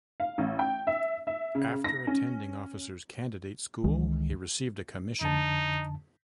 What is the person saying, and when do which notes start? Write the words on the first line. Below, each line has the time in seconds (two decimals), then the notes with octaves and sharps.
After attending Officer's Candidate School he received a commission.
0.20 F5
0.38 A1
0.59 G5
0.87 E5
1.27 E5
1.55 C#3
1.84 A#6
2.07 C#4
3.84 C#2 D#3 E3 G#3
5.21 F2 D3 D#4 A5